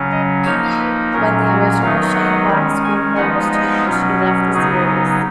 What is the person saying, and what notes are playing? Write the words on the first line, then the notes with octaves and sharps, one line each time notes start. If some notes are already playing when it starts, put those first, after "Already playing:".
When the original Shane Black screenplay was changed, he left the series.
Already playing: C#3 F#3 C#4
D#5
F3 A#3 D#4 C#5
B4
A#2 F#3 C#4 A#4
F#4
D#3 F#3 B3 D#4 F5
F#5
D#3 G#3 C#4
G#5
F3 G#3 B3 D#4 F#5
D#5
B2 F#3 C#4 F4
F#4
C#3 F#3 B3 D#4 G#4